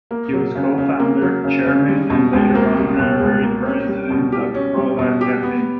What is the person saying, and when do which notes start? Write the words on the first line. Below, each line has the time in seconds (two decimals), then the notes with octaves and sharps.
He was co-founder, chairman and later honorary president of the Pro Life Campaign.
0.11 A#3
0.33 F#3
0.55 C#3
0.78 C#3
1.00 A#3
1.22 F#3
1.44 C#3
1.66 C#3
1.88 G3
2.10 B2
2.33 C#2
2.55 A#3
2.77 G3
2.99 B2
3.21 C#2
3.43 A#3
3.66 C#4
3.88 G3
4.10 B2
4.32 G4
4.55 C#4
4.77 G3
4.99 B2
5.21 G4
5.43 B3